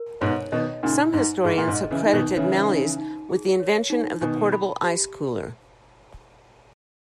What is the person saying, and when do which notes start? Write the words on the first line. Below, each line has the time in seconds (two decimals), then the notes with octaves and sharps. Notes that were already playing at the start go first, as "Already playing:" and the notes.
Some historians have credited Malley's with the invention of the portable ice cooler.
Already playing: A#4
0.21 G#2 B2 C#5
0.52 B2 D#3 D#5
0.83 A#2 C#3 D#4
1.13 G#2 D#4
1.44 G#2 G#4
1.58 A#2
1.67 G#2
1.75 D#5
1.91 C#3 E3
2.05 D#4
2.13 B2 D#3
2.36 C#3 E3 C#5
2.68 D#4
2.99 D#4
3.30 G#4
3.60 C#5
3.90 D#4
4.21 B2 D#3 G#5
4.52 B5
4.83 G4